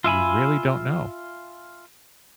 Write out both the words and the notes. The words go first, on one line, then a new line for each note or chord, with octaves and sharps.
you really don't know.
F4 E5 G#5 B5